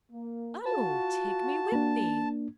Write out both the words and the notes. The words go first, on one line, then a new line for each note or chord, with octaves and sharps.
'Oh! take me with thee!'
A#3
F4 F#4 A5
A#3 D4